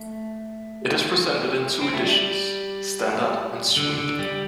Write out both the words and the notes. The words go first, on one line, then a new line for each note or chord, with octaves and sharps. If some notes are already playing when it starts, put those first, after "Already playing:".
It is presented in two editions: standard and suite.
Already playing: A3
C4
A3
G3
D3
D3
G3